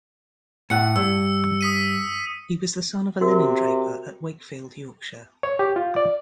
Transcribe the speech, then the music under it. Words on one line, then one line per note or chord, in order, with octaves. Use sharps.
He was the son of a linen-draper at Wakefield, Yorkshire.
A2 F#5 C#7
G2 E6
D#6 B6 D#7
C3 F#4 A#4
C#5
G4
F4
D5